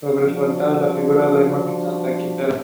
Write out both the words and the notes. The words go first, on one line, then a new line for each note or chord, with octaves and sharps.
The competition was ignored by many leading Russian athletes.
F3 G3 D4 F#4